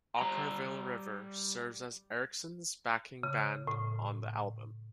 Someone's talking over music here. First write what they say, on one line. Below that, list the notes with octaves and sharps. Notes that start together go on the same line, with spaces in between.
Okkervil River serves as Erickson's backing band on the album.
G3 A#5
C#3
A2